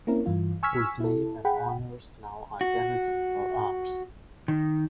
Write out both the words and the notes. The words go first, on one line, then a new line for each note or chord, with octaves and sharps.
Whose name and honours now are denizened for ours.
A#3 C4 C#4 E4 A#4
G2 E3 F4
G#5 C#6 E6 F6 G#6 B6
E4 A4
G#4 F#5 G5 B5
F#4
D#3